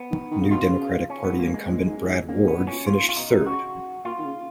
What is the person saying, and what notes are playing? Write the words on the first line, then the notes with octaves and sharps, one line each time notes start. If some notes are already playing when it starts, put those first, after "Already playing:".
New Democratic Party incumbent Brad Ward finished third.
Already playing: B3
D#3
D#3
C#3
B2 F4
C#3
C#4
B3
A#3
G#3
A#2
F#2
G#2
A#2
G#2
C#3 A#3
B2
B3
B2
A#2 C#4
G#2 F4
A#2
F4
B2 D#4
C#3
F#4
A#2 F4
D#3
C#3